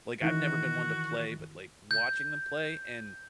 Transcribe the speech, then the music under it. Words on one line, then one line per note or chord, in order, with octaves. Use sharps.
Like, I've never been one to play, but like, watching them play, and
D#3 E3 F#4
G6